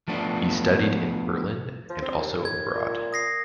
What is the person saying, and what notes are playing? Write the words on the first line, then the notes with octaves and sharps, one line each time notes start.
He studied in Berlin and also abroad.
F3 A3 B3 D4 F4
F3
C4
D#2
G#6
A#2
D#6 A#6 C7